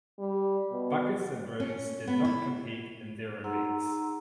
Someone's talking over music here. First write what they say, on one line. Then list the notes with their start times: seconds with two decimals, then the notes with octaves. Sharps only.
Baccus and Rose did not compete in their events.
0.19 G3
0.72 B2
1.60 C#4
2.07 B3
2.25 E4
3.44 D#4 G#4 F#5 A#5 C6 E6